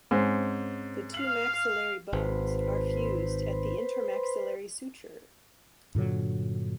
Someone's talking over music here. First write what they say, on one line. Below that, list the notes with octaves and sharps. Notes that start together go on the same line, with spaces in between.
The two maxillary bones are fused at the intermaxillary suture.
G#2 C4 C#4 C5
F5 F#7
G#1 B4 C5
G2 A#2 D3 F#3